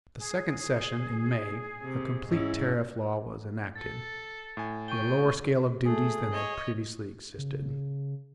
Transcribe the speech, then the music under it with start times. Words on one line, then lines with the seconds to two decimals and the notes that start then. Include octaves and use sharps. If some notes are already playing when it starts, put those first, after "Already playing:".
At the second session, in May, a complete tariff law was enacted, with a lower scale of duties than had previously existed.
0.17 G#4
1.83 C3
2.27 G#2 C#4 E4
3.76 A4 A6
4.57 A2 G#5
4.88 G5 C#6 G7
5.85 A3 G#4
6.32 C#5 D#5
7.38 C#3